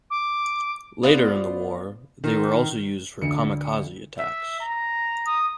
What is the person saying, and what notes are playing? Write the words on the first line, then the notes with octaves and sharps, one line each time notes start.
Later in the war, they were also used for "kamikaze" attacks.
D6
B3 F4 C5 D5
D#3
D2 D3 C#7
E5
A#5
D#6